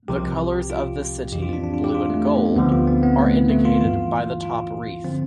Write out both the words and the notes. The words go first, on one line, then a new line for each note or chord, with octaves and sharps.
The colours of the city, blue and gold, are indicated by the top wreath.
C2 C3 F3 G4
F4
F2 E3 G4
F4
C4
D4
D4
F4
G4
F4
A3
A3
B3
C4
D2 D3 F3 B3
F4
C4
B3
A3
A3
F4
G2 E3 F4
F4
D3 F3 C4